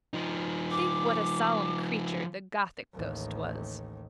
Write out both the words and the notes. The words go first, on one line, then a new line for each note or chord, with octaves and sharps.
Think what a solemn creature the Gothic ghost was!
F3 D#4
D6
A1 D#2